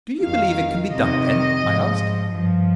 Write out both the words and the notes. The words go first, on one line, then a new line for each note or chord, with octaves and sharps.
"Do you believe it can be done, then?" I asked.
F2 D#3 F5
F2 C3 D#3 D#5
G#2 F3
G2 F3